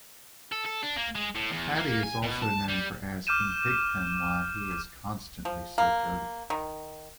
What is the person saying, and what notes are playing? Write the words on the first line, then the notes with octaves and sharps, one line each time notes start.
Patty is also known for asking "Pig-Pen" why he is constantly so dirty.
A4
A4
D4
A#3
G#3
A2
E2
A#3
G#5
B2
A5
G3
D6 F6 G6 D#7 E7
F3
A#3
D#3